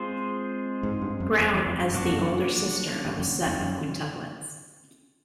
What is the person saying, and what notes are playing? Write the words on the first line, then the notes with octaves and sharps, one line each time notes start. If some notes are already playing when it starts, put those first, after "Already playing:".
Brown as the older sister of a set of quintuplets.
Already playing: G#3 C4 F4 G#4 C5
G#2
G2
F#2
F2
E2
F2
G2
F#2 F#3 A#3 D4 F#4
F2
F#2
G2
F#2
F2
F#2